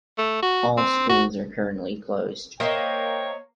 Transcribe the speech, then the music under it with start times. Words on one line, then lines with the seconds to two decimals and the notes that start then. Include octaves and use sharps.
All schools are currently closed.
0.18 A3
0.42 F#4
0.78 C4
1.10 F#4
2.60 A#3 C5 C#5 D#5 E5 G5